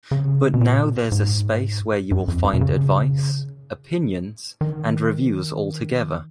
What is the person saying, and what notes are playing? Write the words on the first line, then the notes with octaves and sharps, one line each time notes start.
But now there’s a space where you will find advice, opinions, and reviews all together.
C#3
B2
A#2
G#2
F#2
F2
F#2
B2
C#3
D#3